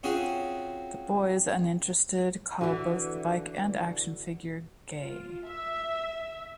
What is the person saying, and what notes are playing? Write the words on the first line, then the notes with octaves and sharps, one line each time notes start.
The boys, uninterested, call both the bike and action figure "gay".
C4 C#4 F4 F#4 G#4
D3 E3 F#4
F4
E5